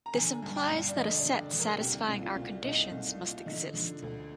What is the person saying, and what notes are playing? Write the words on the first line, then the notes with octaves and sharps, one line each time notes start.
This implies that a set satisfying our conditions must exist.
A#5
D3 G#5
G2
G5
G2
D5
D3 D#5
D5
D3
D3
A#4
C2 G4
C2
F4
C2
C2 D#4
C2
A#2
D3 D#4
D3
D2